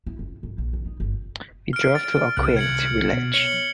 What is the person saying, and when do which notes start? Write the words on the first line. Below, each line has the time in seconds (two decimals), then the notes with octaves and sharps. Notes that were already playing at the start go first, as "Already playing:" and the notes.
We drove to a quaint village.
0.07 E4
0.19 F#1
0.43 G1
0.58 A#1
0.73 D#3
0.85 D#4
1.00 G1
1.73 F6 D7
1.95 A6
2.37 C2 C3 F#6
2.57 G#6 C#7 F#7
3.13 B2
3.34 C#5 C#7 F#7 G7